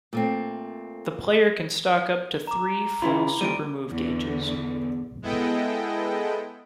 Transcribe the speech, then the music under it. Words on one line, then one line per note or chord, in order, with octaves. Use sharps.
The player can stock up to three full Super Move gauges.
A#2 A3 C4
A#5 D6
C#3 E4 F4 B5
D2 A#2 G3 D7 D#7
E2 D3
G#3 B3 E4 A4 D#5 G5